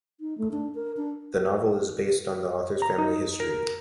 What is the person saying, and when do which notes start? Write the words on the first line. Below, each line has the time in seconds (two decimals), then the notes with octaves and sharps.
The novel is based on the author's family history.
0.20 D#4
0.38 A3
0.51 D4
0.75 A#4
0.97 D4
2.82 A#5
2.98 D#4
3.40 A#4